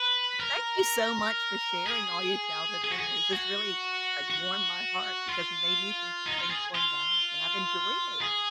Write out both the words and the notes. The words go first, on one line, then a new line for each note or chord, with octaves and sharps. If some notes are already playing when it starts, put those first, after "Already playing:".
Thank you so much for sharing all your childhood memories. This really, like, warmed my heart because it made me think of things going back and I've enjoyed it.
Already playing: B4
A#4
G#4
G#4
F#4
G#4
F#4
F#4
F4
D#4
F4
G#4
F4
G#4